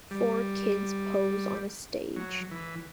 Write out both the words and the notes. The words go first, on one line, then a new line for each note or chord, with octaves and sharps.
Four kids pose on a stage.
G3
F#3
E3